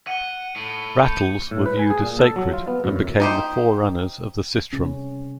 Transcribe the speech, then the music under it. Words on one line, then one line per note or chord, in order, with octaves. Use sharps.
Rattles were viewed as sacred and became the forerunners of the sistrum.
F#5 D#7 G7
A2
G6 C#7
A2
B4
G#5
G#4
A#2
A4
F#3
F4
B3
F#2
F#2
D#4 G4 C5
C3 C#4